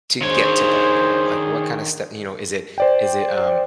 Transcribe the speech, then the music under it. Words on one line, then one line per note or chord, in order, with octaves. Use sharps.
to get to that goal? Like, what kinda step you know, is it is it, um,
D#3 D4 G#4 C5 C#5
C5 D5 G5